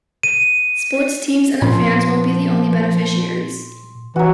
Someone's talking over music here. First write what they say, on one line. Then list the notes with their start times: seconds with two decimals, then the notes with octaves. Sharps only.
Sports teams and their fans won't be the only beneficiaries.
0.23 D#7
1.62 A#2 F3 C6
4.16 E3 F#3 F#4